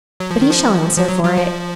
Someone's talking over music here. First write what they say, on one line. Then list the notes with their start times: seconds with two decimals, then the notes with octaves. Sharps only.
'But he shall answer for it.
0.20 F#3
0.31 F3
0.41 D#3
0.50 F3
0.97 F3
1.08 F#3
1.24 F#3
1.38 F3